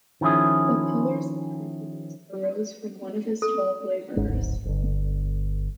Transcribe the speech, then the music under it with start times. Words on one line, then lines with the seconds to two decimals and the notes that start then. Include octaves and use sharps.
The pillars of Hercules arose from one of his twelve labours.
0.21 D#3 F3 C#4 E4 G#4
3.42 A4
4.16 G#1 G#2 G#3 C#4
4.29 D1 G#1 G#2
4.65 G1 D3